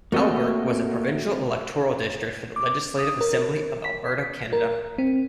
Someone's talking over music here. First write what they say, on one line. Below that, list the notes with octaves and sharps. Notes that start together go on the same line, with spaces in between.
Albert was a provincial electoral district for the Legislative Assembly of Alberta, Canada.
A3 A#3 C4 F#4 A#4 C#5 D#5
D6
D#6
A#4
B6
A#4
C4